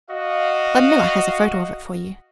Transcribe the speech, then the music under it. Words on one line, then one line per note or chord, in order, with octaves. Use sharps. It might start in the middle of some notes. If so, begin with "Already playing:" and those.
Ludmilla has a photo of it for you.'
F#4 D#5 F5